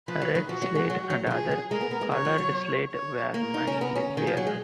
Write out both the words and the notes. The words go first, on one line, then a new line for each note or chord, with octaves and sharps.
Red slate and other colored slate were mined here.
F3 B4
F#3
D#3
F3 F#4
F#3
G#3
F#3
F#3
D#3
F3 G#4
F#3
G#3 A#4
B3
B3
G#3
D#3 C#5
F3
F#3
C#5
A#3 A#4
D#4
C#4
B3
C#4
D#3 G#4
F3
F#3
G#3